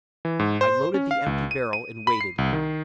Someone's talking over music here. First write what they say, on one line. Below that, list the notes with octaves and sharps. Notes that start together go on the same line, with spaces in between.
I loaded the empty barrel and waited.
E3
G#2
C5
C#4
F5
C#2
D#7
D#7
B5
C7
C2
D#3